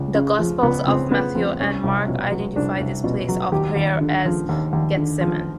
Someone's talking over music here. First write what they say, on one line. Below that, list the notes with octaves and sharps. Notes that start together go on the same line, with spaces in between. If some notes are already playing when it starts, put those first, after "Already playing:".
The gospels of Matthew and Mark identify this place of prayer as Gethsemane.
Already playing: C#2
C#3
F3
C#2 B3
C#2 C4
C#3 B3
F3 C4
C2 C#4
C2
B2
F#3
C2 D4
C2
B2
F#3
D#2 G4
D#2
D3
F3
D#2
D#2
D3
F3